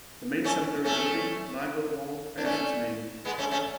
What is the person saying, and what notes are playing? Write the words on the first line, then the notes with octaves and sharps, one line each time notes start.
The main seminary building, Nyvall hall, bears his name.
A3 C#4
A3 C#4
D4
A3 C#4
G#3 B3
A3 C#4
A3 C#4